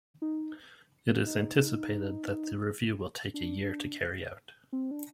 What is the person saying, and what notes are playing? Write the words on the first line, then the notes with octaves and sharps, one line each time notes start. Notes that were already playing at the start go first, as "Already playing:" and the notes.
It is anticipated that the review will take a year to carry out.
D#4
D#4
D4
C4
D4